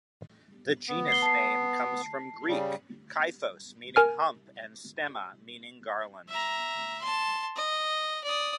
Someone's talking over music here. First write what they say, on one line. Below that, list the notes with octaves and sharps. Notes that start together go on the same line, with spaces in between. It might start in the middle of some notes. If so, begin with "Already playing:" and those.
The genus name comes from Greek "kyphos", meaning "hump", and "stemma", meaning "garland".
B3
C7 G7
A5 C7
C#3 G3
A#4 G#5 F6
E5 A#5
A5 C6
D#5
D5 D#6